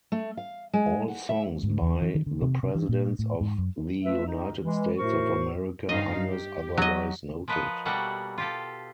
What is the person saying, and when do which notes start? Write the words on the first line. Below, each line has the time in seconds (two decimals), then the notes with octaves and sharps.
All songs by The Presidents of the United States of America unless otherwise noted.
0.12 A3
0.37 F5
0.73 G#3
1.08 F#5
1.29 E5
1.63 G#2
1.82 E2
2.02 E3
2.15 D#3
2.26 D3
2.42 C3
2.63 C3
2.75 E3
2.89 A#2
3.19 A2
3.41 G#2
3.58 F#2
4.04 A3 F4 B4 E5
4.26 D#4
4.63 E3 G#3
4.98 A2 A3 F#4 A#4 C5 C#6
5.89 G2 D#4 D#5 F5
6.27 G4
6.78 F#3 D#5
7.48 F3 A#4 B4 D#5 F#5
7.85 B2 G3 A#3 F#4 A4 F#5
8.38 F4 G4 A4